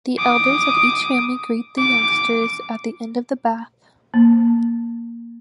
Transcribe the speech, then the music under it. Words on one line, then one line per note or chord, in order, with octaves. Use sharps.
The elders of each family greet the youngsters at the end of the bath.
D6 D#6
D6
A#3